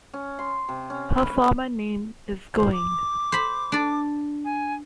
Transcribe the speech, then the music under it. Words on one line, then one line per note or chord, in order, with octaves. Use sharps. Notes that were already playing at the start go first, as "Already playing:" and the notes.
Her former name is Going.
C#4
C6
C3
C#4
B4
C5
D6
C5 B5
D4 D5
G#5